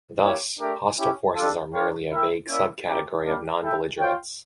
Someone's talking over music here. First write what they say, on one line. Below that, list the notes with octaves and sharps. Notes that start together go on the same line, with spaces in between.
Thus, hostile forces are merely a vague sub-category of non-belligerence.
A#3 E4 G4 C#5
A3 D4 G4 A#4 D5
C#4 E4 G4
G3 D4 F4 A4
D4 F4 A#4 C#5 G5
E4 A#4 E5 G5
A#3 C#4 E4 A#4 D5
C#4 E4 G4 A#4
G3 A#3 D4
E4 A4 E5 G5
F4 C#5 G5